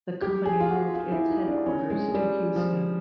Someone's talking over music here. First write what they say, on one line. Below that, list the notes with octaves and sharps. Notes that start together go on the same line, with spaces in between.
The company moved its headquarters to Houston.
G4
G#4
F4
F#4
F4
E4
D#4
D4
C#4
G#3
G#3
G3
F3